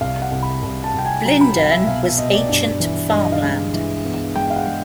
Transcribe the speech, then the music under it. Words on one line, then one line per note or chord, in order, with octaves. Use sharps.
Blindern was ancient farmland.
C2 F5
F#5
C2
B5
C2
A5
C2 G5
G#5
F#3 A#5
B5
C2 F5
E5
B2 F5
E5
B2 D#5
D5
G2
E3
G2 D#5
F5
G#3
E3
B3
G#3 G5
F5
F#5
G#3